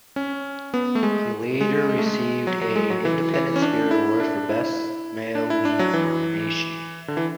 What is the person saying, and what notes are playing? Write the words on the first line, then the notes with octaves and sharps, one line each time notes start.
He later received a Independent Spirit Award for Best Male Lead nomination.
C#4
B3
A3
G#3
G#3
G#3
A3
G#3
F#3
F#3
G#3
F#3
E3
E3
C#4
D4
E4
D4
E4
D4
E4
D4
F#3
E3
D3
E3